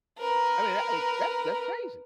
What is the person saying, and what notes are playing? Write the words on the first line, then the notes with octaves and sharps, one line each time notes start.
I mean, I like, that's that's crazy!
A#4 B4